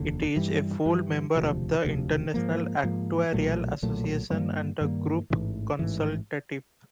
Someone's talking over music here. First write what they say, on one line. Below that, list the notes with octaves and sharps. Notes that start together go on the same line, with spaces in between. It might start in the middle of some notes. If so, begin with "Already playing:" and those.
It is a full member of the International Actuarial Association and the Groupe Consultatif.
Already playing: F1 D#2 D3
G2 E3 G3
G2 E3 G3
E1 D2 C3 F3
E1 D2 C3 F3
G#2 F3 A#3
G#2 F3 A#3
B1 A#2 F#3 A3
B1 A#2 F#3 A3
G2 D#3 G3 A#3
G2 D#3 G3 A#3
A1 G#2 E3
A1 G#2 E3